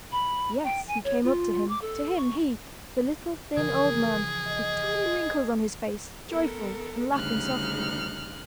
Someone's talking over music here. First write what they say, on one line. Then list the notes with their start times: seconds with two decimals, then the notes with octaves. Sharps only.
Yes, he came up to him, to him, he, the little, thin old man, with tiny wrinkles on his face, joyful and laughing softly.
0.12 B5
0.64 G5
0.87 G#5
1.04 C#5
1.24 F4
1.68 D6
1.81 A4
2.17 C#6
3.57 C#3 E3 F3 G#4 A#4
4.47 D#5
6.29 B3 A4 A#4
7.13 D2 C#3 G3 D#4 F6 F#6